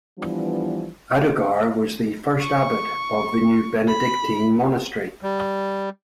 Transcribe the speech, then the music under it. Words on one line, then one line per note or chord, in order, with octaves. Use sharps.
Audogar was the first abbot of the new Benedictine monastery.
E3 F3 G3 B3 D4
C#6
B5
G3